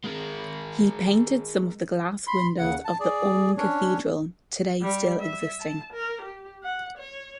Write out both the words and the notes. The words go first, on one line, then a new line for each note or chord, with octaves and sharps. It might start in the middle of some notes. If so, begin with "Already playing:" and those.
He painted some of the glass windows of the Ulm cathedral today still existing.
G#3 A#4
B5 C6
D#2 C#3 F#5
A5
G#4 D5
C#4 D4 C#5
G3
E5
A5
A#4
G4
F#5
C#5